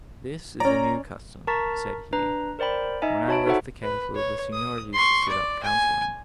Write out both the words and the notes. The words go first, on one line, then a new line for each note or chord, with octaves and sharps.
'This is a new custom,' said he; 'when I left the castle, the Signors used to sit up counselling.'
C#4 D5 A#5
A#4 A5 A#5 C#6 A6 B6
D4 B4 A#5
A#4 C5 D5 G5 B5
D#4 D#5 E5 G#5 A#5
F#4 C#5 A5 B5 D7
D#4 F#4 A4 C5 E5 F#5
B4
C#5
D#6
C6 C#6
D5
G#5